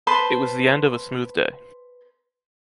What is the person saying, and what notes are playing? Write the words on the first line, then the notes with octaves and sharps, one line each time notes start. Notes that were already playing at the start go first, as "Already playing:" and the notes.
It was the end of a smooth day.
B4 C5 A5 C6